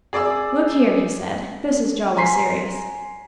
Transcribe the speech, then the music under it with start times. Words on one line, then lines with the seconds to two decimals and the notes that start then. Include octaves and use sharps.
'Look here,' he said, 'this is jolly serious.
0.13 G#4 D5 D6 E6
2.16 G#5 A#5 C6 B6 C7